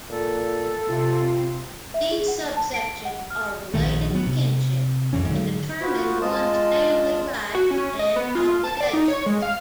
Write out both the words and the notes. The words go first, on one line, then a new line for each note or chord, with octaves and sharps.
These subsections are related to kinship, and determine one's family rights and obligations.
A#2 A4
C3 C4 F4
E5
G#4
F#5
A5
D7
F#5
F6
A#1 D#3 A3
F#3 B3
C3
F2 E3 C#4
G#2 D3 F#3
B3 F4 F#4 B4 C5
G#3 F4 D#5 A5
F#4
C#4
D#5
B3
F4
A5
D5
D#4
C#5
G#3
F5